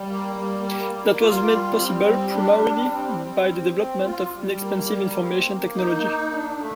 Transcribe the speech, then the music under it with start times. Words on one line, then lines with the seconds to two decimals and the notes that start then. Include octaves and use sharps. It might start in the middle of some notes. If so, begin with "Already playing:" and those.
That was made possible primarily by the development of inexpensive information technology.
Already playing: G3
0.08 A#3
0.35 G3
0.64 A#3
0.92 A#3
1.21 F4
1.50 G3
1.77 C4
2.06 G3
2.34 D4
2.62 G3
2.90 C4
3.20 G3
3.48 C4
3.76 C4
4.04 F4
4.33 G3
4.61 A#3
4.89 G3
5.18 C4
5.46 A#3
5.74 D#4
6.03 A#3
6.31 D4
6.60 A3